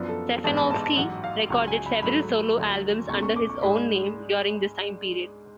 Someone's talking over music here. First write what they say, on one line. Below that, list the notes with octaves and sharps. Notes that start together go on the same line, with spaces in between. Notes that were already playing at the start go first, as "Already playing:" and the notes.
Stefanovski recorded several solo albums under his own name during this time period.
Already playing: F#2 F3 B3 D4
A4
A1 G#2 G#3 B3 D4 A5
B5
A5
A5
A1 G#2 F#3 F#5
F5
C#2 C#3 F#3 F#5
G#5
B5
G#2 F#3 A3 B5
D2 D3 F#3
C#2 B2 A3 C#4 C#6
C#6
D6
C#6
G#2 G#3 D4 B5